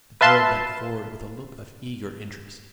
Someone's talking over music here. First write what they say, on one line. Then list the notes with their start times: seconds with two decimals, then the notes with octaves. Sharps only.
The girl bent forward with a look of eager interest.
0.21 B4 E5 F5 A5 C6